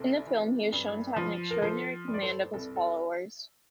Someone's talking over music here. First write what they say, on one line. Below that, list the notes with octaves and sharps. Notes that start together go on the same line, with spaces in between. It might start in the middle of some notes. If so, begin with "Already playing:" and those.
In the film he is shown to have an extraordinary command of his followers.
Already playing: C2 C3 A4 C5
E3
G2
F3
A#4
F3 A4 C5
G2
D5
A4 C5
C2 A4
A4